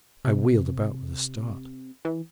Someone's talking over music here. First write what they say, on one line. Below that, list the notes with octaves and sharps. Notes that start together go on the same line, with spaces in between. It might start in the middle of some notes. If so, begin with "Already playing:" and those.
I wheeled about with a start.
C3
E3